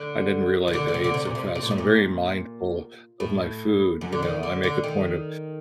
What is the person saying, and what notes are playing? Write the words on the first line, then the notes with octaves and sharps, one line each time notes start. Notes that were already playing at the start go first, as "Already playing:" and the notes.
I didn't realize I ate so fast, so I'm very mindful of my food, you know? I make a point of,
Already playing: D3
D#3
D3
D3
C3
D3
C3
A#2
C3
C3
A#2
A2
A#2
A2
F#2
D3
D#3
D3
D3
D#3